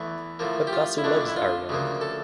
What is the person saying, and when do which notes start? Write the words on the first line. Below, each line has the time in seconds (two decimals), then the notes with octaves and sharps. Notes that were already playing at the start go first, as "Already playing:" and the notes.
But Vasu loves Arjun.
Already playing: E2 E3 A3
0.39 A2 F3 A#3
0.67 G4
0.73 F4
0.98 E4
1.04 F2 D3 A3 D4
1.13 C#4
1.21 D4
1.28 E4
1.36 F4
1.69 D2 C#3 F3 A#3
2.01 A4